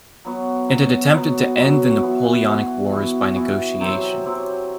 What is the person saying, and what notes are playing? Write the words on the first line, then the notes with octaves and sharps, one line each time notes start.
It had attempted to end the Napoleonic Wars by negotiation.
F#3 B3 F#4
F#3 B3 F#4
F#3 B3 F#4
F#3 B3 F#4
E3 B3 F#4
E3 B3 F#4
E3 B3 F#4
E3 B3 F#4
C3 F#3 C4 G4
C3 F#3 C4 G4